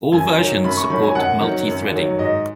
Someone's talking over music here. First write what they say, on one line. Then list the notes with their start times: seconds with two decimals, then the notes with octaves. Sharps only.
All versions support multi-threading.
0.12 F#2 G#5
0.38 D#3 F#3
0.64 F#2 B5
0.77 C#6
0.90 D#3 F#3 B5
1.03 G#5
1.15 F#2 F#5
1.41 D#3 F#3
1.68 F#2
1.92 D#3 F#3
2.18 G#2 D#5